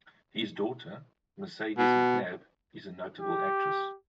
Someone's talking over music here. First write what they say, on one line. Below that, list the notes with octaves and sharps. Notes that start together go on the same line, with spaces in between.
His daughter, Mercedes McNab is a notable actress.
B2
G4